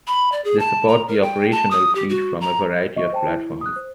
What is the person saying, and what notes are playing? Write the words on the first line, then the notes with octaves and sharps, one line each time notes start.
They support the operational fleet from a variety of platforms.
B5
D5
G#4
A5
A#5
A#4
G5
A5
D#6
G4
F#4
A#5
D#5 E5 C#6
C5 G5 A5
E4
D#6 F#6
C5